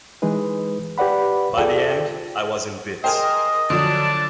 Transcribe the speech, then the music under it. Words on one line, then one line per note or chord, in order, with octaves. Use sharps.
By the end, I was in bits.
E3 G#3 D#4 G#4 B4
G4 B4 D5 F#5 B5
F4 G#4 A4 D5 G5
G#4 A#4 C5 D#5 G5
D3 F3 F#3 D4 D5 A5